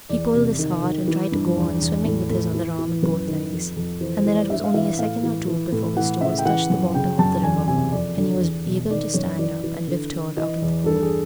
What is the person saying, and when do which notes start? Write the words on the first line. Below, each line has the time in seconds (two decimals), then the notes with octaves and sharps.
He pulled this hard, and tried to go on swimming with his other arm and both legs; and then it was only a second or two before his toes touched the bottom of the river, and he was able to stand up and lift her out of the pool.
0.09 E2 D5
0.34 C3
0.59 D#3
0.83 D#3
1.07 E3
1.32 G2
1.56 E2
1.81 E2
2.05 A2
2.30 A2
2.54 E3
2.79 E3
3.03 F#2 B4
3.27 D#3
3.52 F2
3.76 F2
4.01 E3 C5
4.17 C5
4.25 E3
4.34 D5
4.50 G2 E5
4.64 F5
4.74 E3 E5
4.99 A2 F5
5.23 E3
5.48 E3
5.72 A2
5.97 E3 F#5
6.21 C#3 E5
6.38 G5
6.45 E3 F#5
6.70 F#2
6.94 C#3 G5
7.19 F#2 A5
7.43 E2 G#5
7.68 C3 G#5
7.92 F2 D5
8.17 D3
8.41 E2
8.66 B2
8.90 D#3 D5
9.14 F#2 C#5
9.39 E3 D5
9.64 E3
9.88 D3
10.12 D3
10.37 E3 D#5
10.62 E2
10.86 G2 A4
11.02 G#4